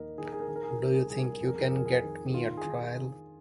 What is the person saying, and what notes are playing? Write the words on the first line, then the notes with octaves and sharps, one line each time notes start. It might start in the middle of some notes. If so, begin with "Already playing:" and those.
Do you think you can get me a trial?
Already playing: D#2 D#3 A#3 D#4 A#4 D#5
D#3 G#4
A#4
G#4
A#4
D#3 G#4
A#4
G#4
A#4
C2 G#4
A#4
G#4
A#4
C2 G#4
A#4
G#4
A#4
F2 G#4
A#4
G#4
A#4
F2 G#4
A#4
G#4
D#3
G#4
D#3 F4
G#4
D#3
G#4
D#3